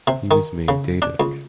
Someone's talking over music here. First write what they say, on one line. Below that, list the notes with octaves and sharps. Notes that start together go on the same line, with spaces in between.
He was made Datuk.
C3
D#3
C#3
D4
C#2